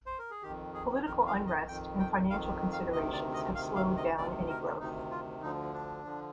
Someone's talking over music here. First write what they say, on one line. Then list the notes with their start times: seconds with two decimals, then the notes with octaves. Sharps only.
Political unrest and financial considerations have slowed down any growth.
0.06 C5
0.19 A#4
0.31 G#4
0.43 F2 D#3 G4
0.74 G#4
1.05 F2 D#3 A#4
1.27 F5
1.47 D#5
1.68 F2 D#3 G5
1.99 G5
2.30 F2 D#3 F5
2.72 F5
2.93 D2 C3 D#3 D#5
3.13 D5
3.34 D#5
3.55 D2 C3 D#3 F5
3.76 F5
3.97 D#5
4.17 D2 C3 D#3 D5
4.49 A#4
4.79 D2 C3 D#3 D#4
5.11 F4
5.42 D2 D3 F3 D#4
5.73 D4
6.04 D3 F3